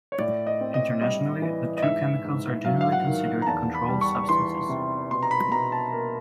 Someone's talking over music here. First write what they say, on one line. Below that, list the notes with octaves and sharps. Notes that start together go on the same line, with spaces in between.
Internationally, the two chemicals are generally considered controlled substances.
C#5
A2 D5
D#5
C4
D#5
G3 D#5
E3
D#5
G#2 E5
G#2
F#3 F5
F5
F#5
D#3
A#5
E2 A5
B5
G3
C#6
E3 C6
C3
B2 C6
A#5
B5
B2 A#5
A5
A#3